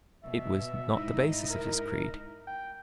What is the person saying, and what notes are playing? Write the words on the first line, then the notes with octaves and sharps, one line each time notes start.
It was not the basis of his creed.
B2 E5
G#2 D#4 E4
A#4
G5